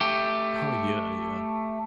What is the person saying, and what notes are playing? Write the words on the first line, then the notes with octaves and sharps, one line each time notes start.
Oh yeah, yeah.
A3 G4